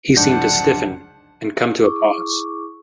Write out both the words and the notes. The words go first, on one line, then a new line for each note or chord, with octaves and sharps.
He seemed to stiffen and come to a pause.
F#1 C2 F2 G#2 D4 F#5 A5 G6
E4 G#4 C#6 D6